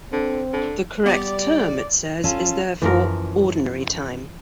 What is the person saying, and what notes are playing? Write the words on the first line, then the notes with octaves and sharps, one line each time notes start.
The correct term, it says, is therefore "Ordinary Time".
D3 C4
D3
G3 B3 G4 D5
C#4 F4 A4
F#2 E3 F3 A#4